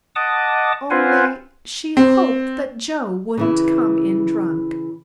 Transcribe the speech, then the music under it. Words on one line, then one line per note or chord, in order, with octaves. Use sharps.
Only she hoped that Joe wouldn't come in drunk.
D#5 F#5 A5 D6 D#6
C4 F4 B4 C5 F#5 G#5
C4
C#3 E3 E4